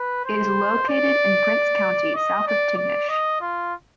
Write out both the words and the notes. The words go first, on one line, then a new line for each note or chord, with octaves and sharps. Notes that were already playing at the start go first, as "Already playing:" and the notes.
It is located in Prince County, south of Tignish.
Already playing: B4
C5
D5
D#5
D5
D5
D#5
F4